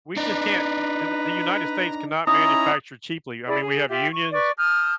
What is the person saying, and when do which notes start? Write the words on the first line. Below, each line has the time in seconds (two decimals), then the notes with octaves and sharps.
we just can't the the United States cannot manufacture cheaply. I mean, we have unions,
0.17 D4 D#4 B4 A#5
2.27 C#4 D#4 E4 A#5 D#6
3.48 E4 G#4 D5
3.61 G#4
3.89 F4 G4 E5 G5
4.11 C#6
4.32 B4 D5 C#6
4.58 A5 D#6 F6 G6